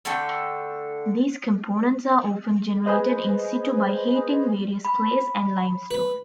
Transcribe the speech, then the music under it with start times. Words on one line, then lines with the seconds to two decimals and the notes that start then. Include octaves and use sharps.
These components are often generated in situ by heating various clays and limestone.
0.05 D3 A3 A4 G5
2.86 G#4 B4 C5 D#5
4.85 B5
5.91 B4